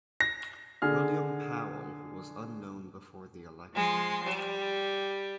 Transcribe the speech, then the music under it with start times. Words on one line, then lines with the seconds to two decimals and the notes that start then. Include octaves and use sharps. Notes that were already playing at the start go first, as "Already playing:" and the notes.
William Powell who was unknown before the election.
0.21 A#6
0.82 D3 G#4 F6
3.72 F3 G#3 C6
4.23 G3